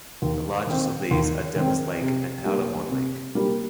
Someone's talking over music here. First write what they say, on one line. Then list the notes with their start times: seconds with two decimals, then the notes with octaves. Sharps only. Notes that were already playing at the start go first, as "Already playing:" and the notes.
The largest of these are Devil's Lake and Powderhorn Lake.
0.22 D#2
0.67 D#3 C4
1.11 D#2
1.56 D#3 C4
2.01 C3
2.45 G3 A#3
2.90 C3
3.35 G3 A#3